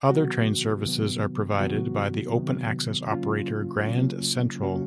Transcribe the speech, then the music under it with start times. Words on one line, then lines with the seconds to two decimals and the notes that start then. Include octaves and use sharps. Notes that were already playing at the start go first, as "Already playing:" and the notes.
Other train services are provided by the open-access operator Grand Central.
0.09 C3 D#3 F#3 B3 F#4
0.85 C3 D#3 F#3 B3
1.60 C3 D#3 F#3 B3 F#4
2.36 C3 D#3 F#3 B3
3.12 C#3 F#3 A#3 C#4 F4
3.87 C#3 F#3 A#3 C#4
4.63 C#3 F#3 A#3 C#4 F#4